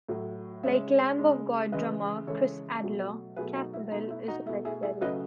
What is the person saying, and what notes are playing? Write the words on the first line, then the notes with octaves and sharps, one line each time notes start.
Like Lamb of God drummer Chris Adler, Campbell is a vegetarian.
A2 F#3 A3
C#3 G#3 C#5 E5
C#3 G#3
C#3 E3 G#3 B4 D#5
C#3 E3 G#3 A4 C#5
B2 F#3 A3
B2 F#3 A3 G#4 B4
D#4 F#4
E4
B2 A3 D#4
E4
D#4 F#4
B2 A3 E4
E4 G#4
E4 G#4
C#3 F#3 A3 B4 D#5